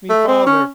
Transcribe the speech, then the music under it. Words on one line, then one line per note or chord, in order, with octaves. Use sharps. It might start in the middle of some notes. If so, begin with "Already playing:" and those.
Me father!
A3
C4
C#4